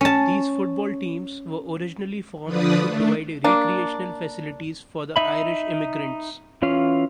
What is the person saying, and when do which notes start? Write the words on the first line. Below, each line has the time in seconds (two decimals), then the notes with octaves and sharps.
These football teams were originally formed to provide recreational facilities for the Irish immigrants.
0.01 C#4 A5
2.43 D3 F3 B4 D5 D#6
2.84 A3 D4
3.44 A#3 D4
5.16 D#4 E5 B5
6.62 E3 C#4 F4 F5